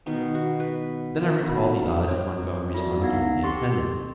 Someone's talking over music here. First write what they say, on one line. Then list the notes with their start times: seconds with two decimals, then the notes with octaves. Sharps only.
Then I recalled the eyes of Montgomery's ungainly attendant.
0.06 B2 D#3 B3
0.35 F#4
0.60 B4
1.21 D3
1.43 B3 D#4 E4 F#4 A#4 B5
2.08 C4 G#4 A#4 C5 C#5
2.74 E4 F#4 A4 A#4 D5
3.02 B3 D#4 F5 G#6 A#6
3.43 C4 G4 A4 C6 C#6 A6